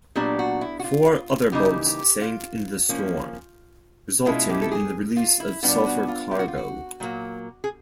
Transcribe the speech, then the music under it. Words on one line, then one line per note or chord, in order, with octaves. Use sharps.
Four other boats sank in the storm, resulting in the release of sulphur cargo.
A#2 F#3 B3 D4 G4
F#4
E4
F#4
F4
C#3 E3 G3 A#3 D#4 G4
G4
F4
F3 A#3 C#4
B2 G#3 C#4 E4 F4
G4
A4
G#4
F4
E4
B2 G3 B3 D4 F4
F#4
F4
G4
F#4
F4
F#4
A#2 F#3 A#3
G#4